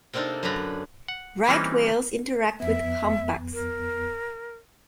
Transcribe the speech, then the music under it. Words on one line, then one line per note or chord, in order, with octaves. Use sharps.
Right whales interact with humpbacks.
C3 A#3 C4 D4 D#4 A4
F#2 D3 D4 B4 A#5 B5
F#5
E3 G3 A#3 C4 C#4 D#4
F2 B3 E5
A#4